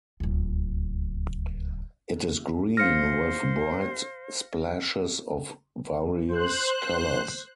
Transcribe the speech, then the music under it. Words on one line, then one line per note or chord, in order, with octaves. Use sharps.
It is green, with bright splashes of various colours.
D1 C#2
C5 F5 F6 A#6 C#7
C5 F#6